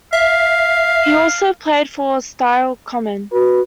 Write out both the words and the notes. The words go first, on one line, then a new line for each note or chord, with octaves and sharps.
He also played for Stile Common.
E5 F5
F#4 B4